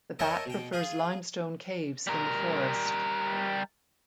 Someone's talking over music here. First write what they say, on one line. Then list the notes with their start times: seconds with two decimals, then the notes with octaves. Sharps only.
The bat prefers limestone caves in the forest.
0.19 A#4 C#5 D#5 E5 G5 A5
0.46 B2 G5
0.73 F4 G#4
2.07 G3 A#4